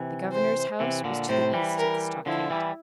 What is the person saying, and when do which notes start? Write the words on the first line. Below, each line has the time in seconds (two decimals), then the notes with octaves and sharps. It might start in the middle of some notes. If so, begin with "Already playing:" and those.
The governor's house was to the east of the stockade.
Already playing: C3 E3
0.32 C5
0.80 C3 E3
1.04 A#2 D3
1.28 A2 C3 C5
1.53 E3 G3
1.78 A#4
2.26 D3 F3 E4
2.50 E3 G3